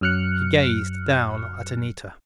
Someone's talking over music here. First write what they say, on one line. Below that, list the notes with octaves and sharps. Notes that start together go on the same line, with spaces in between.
He gazed down at Anita.
F#2 F#3 F6 F#6 C#7